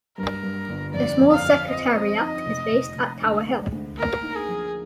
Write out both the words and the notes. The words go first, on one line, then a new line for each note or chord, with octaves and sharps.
A small secretariat is based at Tower Hill.
G2 A#4
G2
G1
F2 D5
F2
F5
F2
C4 D#5
C4
D#4
F1
F1
F1
D2
G#3
D2
A#3 A#4
D#4
G#4
F3